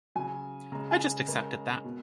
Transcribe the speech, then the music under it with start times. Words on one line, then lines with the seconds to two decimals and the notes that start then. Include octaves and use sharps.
I just accepted that.
0.15 C#3 F#3 G#5
0.72 C#3 G#3 A#5
0.91 G#5
1.28 C#3 G#3 A#4
1.84 B2